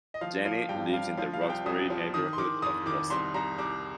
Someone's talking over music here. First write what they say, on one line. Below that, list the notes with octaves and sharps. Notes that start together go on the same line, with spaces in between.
Janey lives in the Roxbury neighborhood of Boston.
D#5
F3 F5
F3 F5
G2 G5
G2 F5
F3 F5
F5
C2
G5
C2 D#6
F3
D#3 D#6
C6
D#3 D6
F2 D#6
D#3 D6
C2 C6
C2 A#5
C2 D6